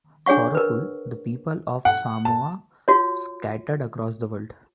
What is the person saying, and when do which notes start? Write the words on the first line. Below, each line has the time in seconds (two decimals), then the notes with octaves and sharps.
Sorrowful, the people of Samoa scattered across the world.
0.26 D4 G#4 C#5 F#5 C#6
0.55 A#4 B4
1.85 F#5
2.25 A5
2.88 F4 F#4 C#5